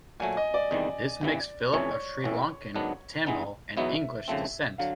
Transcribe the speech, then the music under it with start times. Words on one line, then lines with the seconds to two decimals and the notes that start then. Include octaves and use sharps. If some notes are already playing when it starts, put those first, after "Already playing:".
This makes Philip of Sri Lankan Tamil and English descent.
0.20 A#2 F#3 A3 G#5
0.37 D#5
0.54 D5
0.71 E2 C3 D#3 G3
1.21 G1 G2 E3 G3
1.73 F2 C3 E3 A3 C#4 C#5
2.24 A1 A2 E3
2.74 G#2 D#3 F#3 B3 D4
3.26 G2 E3 G#3 B3 D#4
3.77 E2 B2 F#3 B3 D#4 E5
4.28 D#2 C#3 F3 A3 C4
4.78 D3 F#3 F5